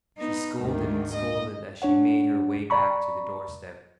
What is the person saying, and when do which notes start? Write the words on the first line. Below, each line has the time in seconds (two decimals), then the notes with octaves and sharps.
She scolded and scolded as she made her way back to the doorstep.
0.18 B3 D#4
0.60 D2 G#2 D#3
1.13 D#5
1.82 D4 C#5 F#5
2.70 D5 A#5 B5 C#6